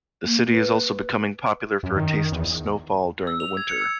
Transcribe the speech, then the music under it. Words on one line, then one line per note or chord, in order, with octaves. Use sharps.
The city is also becoming popular for a taste of snowfall during the winter.
A#3
B4
F#2
D#3
E2
E6
F7
G#6
C#7
E6